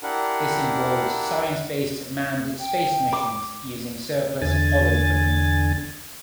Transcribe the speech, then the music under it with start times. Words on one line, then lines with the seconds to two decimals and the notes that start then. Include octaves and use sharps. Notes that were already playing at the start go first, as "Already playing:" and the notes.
This involved science-based manned space missions using surplus Apollo equipment.
0.03 D4 E4 G4 A#4 F#5
2.59 G5
3.13 D6
4.41 E2 D3 G#5 A6